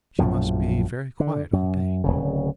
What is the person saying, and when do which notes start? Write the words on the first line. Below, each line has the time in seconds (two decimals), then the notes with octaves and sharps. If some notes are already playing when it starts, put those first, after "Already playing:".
"She must be very quiet all day."
0.19 A#1 F#2 A2 F3
1.20 D3
1.53 F#2
2.04 D1 A#1 C#3